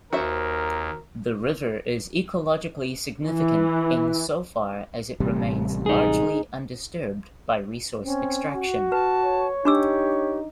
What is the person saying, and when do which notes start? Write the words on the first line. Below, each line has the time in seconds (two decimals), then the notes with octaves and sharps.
The river is ecologically significant insofar as it remains largely undisturbed by resource extraction.
0.13 D#2 F#4 A#4 C5 E5
3.26 E3
5.20 A1 C3 G3
5.86 D#4 G#4
8.05 C4 C#4
8.55 F#4
8.92 B4 A5
9.24 C#5
9.65 D4 D#4 G4 D6 E6